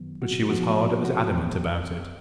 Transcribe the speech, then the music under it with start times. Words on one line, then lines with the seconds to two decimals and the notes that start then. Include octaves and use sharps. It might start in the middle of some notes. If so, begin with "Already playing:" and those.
But she was hard as adamant about it.
Already playing: F#2 D#3 F#3 B3
0.22 F#4
0.49 A#2 F3 B3 F#4
1.05 F#4